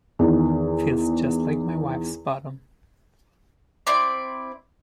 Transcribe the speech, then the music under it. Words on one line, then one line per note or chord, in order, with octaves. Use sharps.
Feels just like my wife's bottom.
E2 D#3
C4 E4 D5